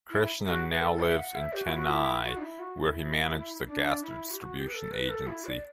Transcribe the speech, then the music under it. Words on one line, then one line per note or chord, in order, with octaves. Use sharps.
Krishnan now lives in Chennai, where he manages a gas distribution agency.
E4
F#4
B4
A4
E5
F#5
E5
G4
F#4
E4
F#4
E4
F#4
D4
E4
F#4
E4
D4
E4
G4
F#4
G4
B4
A4
B4
A4
E4
D5